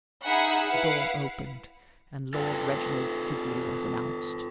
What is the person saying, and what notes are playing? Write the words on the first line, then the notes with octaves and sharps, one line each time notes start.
The door opened and Lord Reginald Sidley was announced.
D#4 G#4 E5 F#5 G#5 B5
E4 B4 F5 F#5
F4 A4 B4